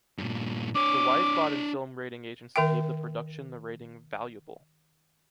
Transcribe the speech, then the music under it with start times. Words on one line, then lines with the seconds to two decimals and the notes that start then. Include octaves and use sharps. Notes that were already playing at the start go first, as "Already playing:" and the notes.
The Wiesbaden film rating agency gave the production the rating “”valuable.
0.18 G2 A#2
0.75 D4 C#5 D6
2.56 D#3 A#4 E5 G5